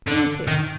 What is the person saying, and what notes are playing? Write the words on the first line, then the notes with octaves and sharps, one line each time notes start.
"Who's here?"
D3
D#3